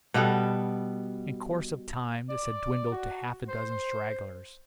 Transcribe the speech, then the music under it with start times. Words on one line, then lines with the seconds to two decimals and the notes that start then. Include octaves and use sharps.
In course of time this had dwindled to half a dozen stragglers.
0.14 B2 G3 B3 A4
2.29 D5
2.92 F#4
3.48 C5